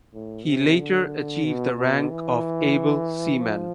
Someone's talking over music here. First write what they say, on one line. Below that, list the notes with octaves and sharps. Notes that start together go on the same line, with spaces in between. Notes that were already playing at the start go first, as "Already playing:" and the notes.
He later achieved the rank of able seaman.
A2
C3
D3
B2
B2
E3
F3